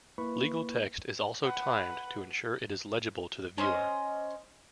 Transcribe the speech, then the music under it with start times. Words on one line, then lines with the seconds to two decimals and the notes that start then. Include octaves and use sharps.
Legal text is also timed to ensure it is legible to the viewer.
0.18 A#3 E4 B4 B5 C#6
1.43 B4 F#5
3.58 C#4 C5 D#5